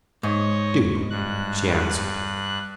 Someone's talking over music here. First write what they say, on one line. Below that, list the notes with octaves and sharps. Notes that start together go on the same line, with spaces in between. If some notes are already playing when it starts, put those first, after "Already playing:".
"Do," she answered.
G#2 C#5 D#5
G2 F#6